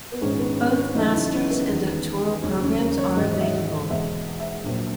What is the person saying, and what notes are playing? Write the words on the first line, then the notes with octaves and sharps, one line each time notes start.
Both master's and doctoral programs are available.
B3
A#1 G#2 D#3 G#3 C#4
B3
C#4
B3
C#4
E2 C#3 F#3 D#4
E4
C#4
B3
E2 D#3 G#3
E1 D#2 C#3 F#3 C#4
C#4
A#4
C#5
G#1 G#2 E3 G#3 D#5
D#5
E5
D#5
E2 B2 G#3 E5
E5
A#1 A#2 F#3